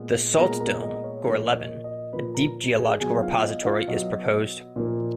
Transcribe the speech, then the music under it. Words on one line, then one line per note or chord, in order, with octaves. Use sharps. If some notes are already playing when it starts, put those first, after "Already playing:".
The salt dome Gorleben, a deep geological repository is proposed.
Already playing: A#2 G#3 B3
A#2 G#3 B3 A#4 A#5
A#4 A#5
D#5
C#5
A#2 F3 A#3 C#5
D#5
D#5
A#2 F3 A#3 B4 B5
A#4 A#5
G#4 G#5
B2 F#3 B3 G#4 G#5
F4 F5
D#5
F4 F5
B2 F#3 B3 D#5
A#2 F3 A#3